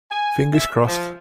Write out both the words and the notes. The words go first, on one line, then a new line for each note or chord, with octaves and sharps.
Fingers crossed!
G#5
E5
F3